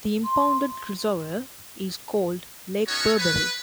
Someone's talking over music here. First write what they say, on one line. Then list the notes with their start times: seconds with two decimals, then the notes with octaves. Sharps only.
The impounded reservoir is called Lake Burbury.
0.25 C6
2.87 B3 C#4 D#4 F#4 A4 C#5
3.18 B4